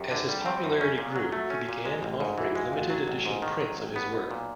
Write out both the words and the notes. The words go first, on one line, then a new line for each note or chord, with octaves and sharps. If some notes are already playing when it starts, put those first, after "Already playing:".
As his popularity grew he began offering limited edition prints of his work.
Already playing: F#2 G4
D3
G3
C4
F#2
C#4
A#2
F#3
A3 F#4
C#4
A#2
G#3
A1
G#2
E3 F#4
E4
G#3
F4
A1 F#4
F#3
A1
G#2
D#3
F#3
A1
B3
B1
A#2